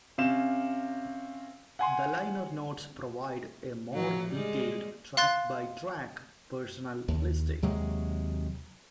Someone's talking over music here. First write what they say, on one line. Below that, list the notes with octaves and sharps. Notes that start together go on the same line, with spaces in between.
The liner notes provide a more detailed track-by-track personnel listing.
C3 C#4 F5 E7
F#5 G#5 C6
A2 F3 F#3
G3 G#3
F5 C6 F#6 A6
D#2
D#2 C3 F#3 G#3